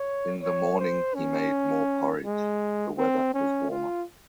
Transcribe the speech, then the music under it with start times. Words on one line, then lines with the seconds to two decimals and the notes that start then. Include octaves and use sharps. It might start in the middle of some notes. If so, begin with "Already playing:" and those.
In the morning he made more porridge; the weather was warmer.
Already playing: C#5
0.42 C#5
0.79 C5
1.15 C#4
2.25 G#3
2.98 C4
3.34 C#4
3.71 F4